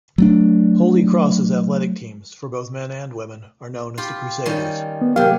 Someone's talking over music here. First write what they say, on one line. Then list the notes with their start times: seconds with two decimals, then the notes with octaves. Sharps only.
Holy Cross's athletic teams for both men and women are known as the Crusaders.
0.18 F#3 A3 D4
3.98 F4 G4 B5
4.46 D#3 G3 C#4
5.01 B3
5.16 C3 F#3 A#3 G4 F5 G5